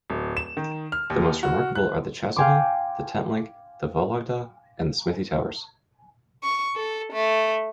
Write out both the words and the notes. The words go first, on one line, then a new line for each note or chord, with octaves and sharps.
The most remarkable are the Chasuble, the Tent-like, the Vologda, and the Smithy towers.
D1
E7
D#3
F6
D#2
F#4
F#6
F5 G5 G#5 C6 D6
C#6
A4
A3